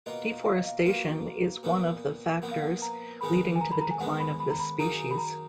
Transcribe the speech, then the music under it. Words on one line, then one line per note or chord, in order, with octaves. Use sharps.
Deforestation is one of the factors leading to the decline of this species.
B2 A#3 F4 D#5
F5
D#5
F5
B2 A#3 F4
A#2 F3 B3
A#2 F3 B3 F#5
F5
F#5
A#5
G#2 D#3 G#3 B3 B5
G#5
A#5
B5
A#5
G#5
G#2 D#3 G#3 B3 F#5
B5
B5
A#5
B5
F#2 D#3 A#3 D#4 G#4 A#5
B5
A#5